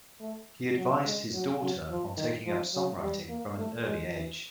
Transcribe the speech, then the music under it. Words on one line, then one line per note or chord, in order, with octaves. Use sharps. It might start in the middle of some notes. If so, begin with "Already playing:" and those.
He advised his daughter on taking up songwriting from an early age.
A3
F#3
G#3
F#3
F#3
F3
D#3
F3
F#3
G3
A#3
A3
G#3
E3